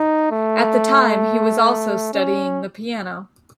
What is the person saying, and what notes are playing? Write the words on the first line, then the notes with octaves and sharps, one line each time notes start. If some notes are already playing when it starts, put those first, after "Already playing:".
At the time, he was also studying the piano.
Already playing: D#4
A3
C#4